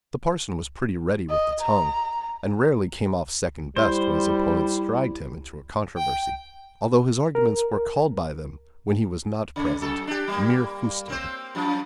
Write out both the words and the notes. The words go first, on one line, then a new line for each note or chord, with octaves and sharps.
The parson was pretty ready with the tongue, and rarely came off second best when his opponents dragged him into a controversy, although his arguments were called by them, when he was not present, "mere fustian."
D#5
A#5
G3 E4 C5
G5
A#4
C#3
F#2 A4
D4 G4
G3 A#3
A#3 C4 C5
F#2 F3